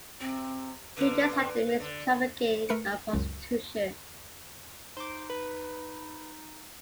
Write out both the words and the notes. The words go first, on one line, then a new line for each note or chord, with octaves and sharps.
You just had to mix trafficking and prostitution.
C3 C4
D3 A#3 B4
D3
A3 A#4 B4 C7 C#7
C#2 F#2
D#4 C5 D6
B4